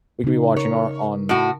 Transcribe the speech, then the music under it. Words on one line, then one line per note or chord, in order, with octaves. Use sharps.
We could be watching our on
C#3 D#4
A#4 C#5
A2 F#4